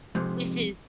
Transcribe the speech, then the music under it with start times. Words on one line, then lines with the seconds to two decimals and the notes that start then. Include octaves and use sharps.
this is
0.15 F2 G#2 C3